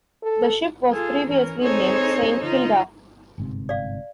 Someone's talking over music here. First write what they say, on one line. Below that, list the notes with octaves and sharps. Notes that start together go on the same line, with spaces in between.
The ship was previously named "Saint Kilda".
A4
F4 G#4 A4
E3 C#4 A#4
C4 D#4 G#4 A4 C5 C#5
D3 D#4 F4
G1 G#2 C3
D5 F5